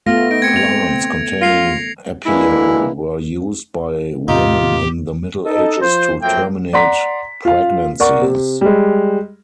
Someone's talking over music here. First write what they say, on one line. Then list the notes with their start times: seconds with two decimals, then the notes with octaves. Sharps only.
Plants containing apiole were used by women in the Middle Ages to terminate pregnancies.
0.07 A3 B3 F4 A#6
0.31 D#4 A#6 D7
0.42 C4 G#6 C#7
0.56 G#6 F7
1.41 F4 A#6 C7 F7
2.27 E3 G#3 A#3 D4 E4
4.28 E2 A2 C3 D#4 F4 G4
5.46 D#4 A4 D#5
5.81 F3 C5
6.21 F#2 F3 A3 A#3 C4 G5
6.73 D5 F#5 A#5 C6 B6
7.45 F4 F5
8.00 A#4 D5 F#5 C#6
8.22 C3
8.61 G3 G#3